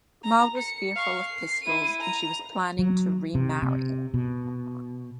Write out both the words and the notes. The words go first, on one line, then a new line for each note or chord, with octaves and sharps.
Maude was fearful of pistols and she was planning to remarry.
A#5
C#7
F5 C#6
C7
E4 D#7
A#5
F#3
C3
C3
B2